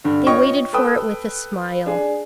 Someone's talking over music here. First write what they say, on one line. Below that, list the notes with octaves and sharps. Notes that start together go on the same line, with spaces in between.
They waited for it with a smile.
G2 D3
F4 C#5 D#5 G5 C#6
A4 B4 G5 D#6
D4 G#4